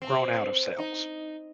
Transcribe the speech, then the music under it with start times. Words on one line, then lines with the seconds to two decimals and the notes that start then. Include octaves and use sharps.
grown out of sales.
0.02 C4
0.78 D#4